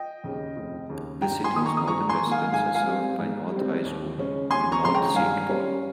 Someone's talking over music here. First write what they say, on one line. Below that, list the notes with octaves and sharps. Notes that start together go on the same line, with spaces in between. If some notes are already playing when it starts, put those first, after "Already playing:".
The city's northern residents are served by North High School in North St. Paul.
Already playing: D#5 G5
D#2 C#3
F1
D#2 C#3
G2 G5 A#5
G#5 C6
D#3 A#3 D#6
A#5 C#6
D#6
G2 A#5 C#6
G#5 C6
D#3 A#3
F5 G#5
G#2 F5 G#5
F5 G#5
G3 C4
G#2
G3 C4
D#2
C#3 G#3 C#4
D#2 G#5 C6
A#5 C#6
C#3 G#3 C#4 C6
G5 A#5
G2 F5 G#5
G3 C#4